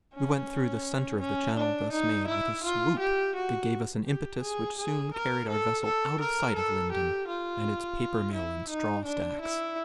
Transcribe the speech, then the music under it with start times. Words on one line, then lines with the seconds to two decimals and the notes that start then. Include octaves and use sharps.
We went through the centre of the channel thus made, with a swoop that gave us an impetus which soon carried our vessel out of sight of Lyndon and its paper-mill and straw-stacks.
0.14 C#4
1.20 C#4
1.56 D4
1.92 D#4
2.27 E4
2.64 F4
2.99 G4
3.35 F#4
4.06 G4
4.41 G#4
4.78 G#4
5.14 A#4
5.49 A4
5.85 A4
6.20 A#4
6.55 A4
6.92 G4
7.28 F4
8.33 E4
8.69 D#4
9.05 D4
9.41 E4